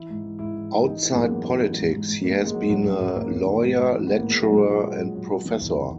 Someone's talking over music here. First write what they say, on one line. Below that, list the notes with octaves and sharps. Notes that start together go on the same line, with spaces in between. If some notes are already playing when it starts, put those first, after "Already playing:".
Outside politics he has been a lawyer, lecturer and professor.
Already playing: E3 E4
G#2
E3
G#2 E4
E3
E3
E3 D#4
E3
F#2 G#3
A#3
E3 B3
E3
E3
G#2
G#2
G#2
G#2 A#3
G#2
G#3
F#3
G#3
F#2 F#3
F#2
G#3
F#2
F#2 A#3
F#2
D#3
G#2
G#2
E3
E3 B3
A#3
G#2
G#3
G#2 F#3
A#2 G#3
F#3
F#3
A#2
F#3
F#3
D#3 B3
E2
D#3